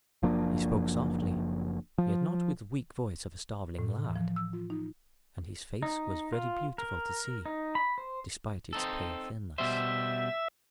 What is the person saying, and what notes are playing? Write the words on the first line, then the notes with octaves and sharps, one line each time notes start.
He spoke softly, yet not with the weak voice of a starving lad; and his face was very beautiful to see, despite its pale thinness.
F#1 F3 A#3 D4
F3
A2
E3
F3
E6
F4
D#4
D#4
F4
A#4
D#4
B5
C5
C4 D#4 A4
B2 G3 C5 E5